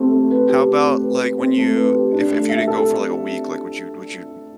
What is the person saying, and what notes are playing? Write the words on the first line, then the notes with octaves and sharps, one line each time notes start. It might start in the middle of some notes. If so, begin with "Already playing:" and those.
How about, like, when you, if if you didn't go for like a week, like, would you, n would you
Already playing: A3 C4 G4
A3
B4
G4
C4
A3
B4
G4
C4
A3
B4
G4
D4
A3
E5
A4